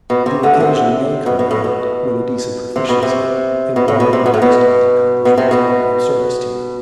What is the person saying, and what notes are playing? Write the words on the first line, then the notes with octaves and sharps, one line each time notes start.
The occasion may come round, when a decent proficiency in one or the rest of these accomplishments will be of service to you.
B2
C3
D2 D3
C3
B2
B2
A2
B2
C3
B2
C3
B2
A2
B2
C3
B2
A2
B2
B2
C3
B2